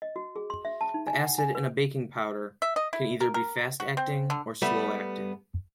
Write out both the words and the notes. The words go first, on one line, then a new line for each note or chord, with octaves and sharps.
The acid in a baking powder can be either fast-acting or slow-acting.
D#5
F#4
G#4
C6
E5
A5
D#4
G#5
F#5
G#5
B4
E5
D#5
E4
A#4
A#4
F#4
C4
D3
G3 A3 B3